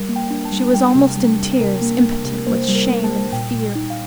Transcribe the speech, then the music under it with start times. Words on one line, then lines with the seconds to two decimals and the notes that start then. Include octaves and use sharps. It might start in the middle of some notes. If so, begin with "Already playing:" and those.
She was almost in tears, impotent with shame and fear.
Already playing: G3 A#4
0.09 A#3
0.16 G5
0.30 D4
0.45 A5
0.52 G3
0.74 G3 G5
0.95 C3
1.17 G3
1.39 G3
1.60 C3 A#4
1.82 A#3
2.03 A#3
2.25 C3
2.46 A#3 C5
2.68 G3
2.75 A#4
2.89 A#3
3.04 A5
3.11 G3
3.33 A#2 G5
3.54 A#2
3.75 D#4
3.90 F5